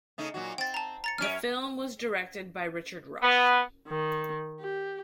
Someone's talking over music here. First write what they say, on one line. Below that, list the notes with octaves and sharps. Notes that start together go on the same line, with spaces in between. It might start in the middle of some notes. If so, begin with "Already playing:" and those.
The film was directed by Richard Rush.
C#3 A3 D#4
A#2 F#3 F#4
C4 G5 A6
A5 A#5
A#5 A6 C#7
F#2 C#4 E5 F6 D7
B3
D#3
G4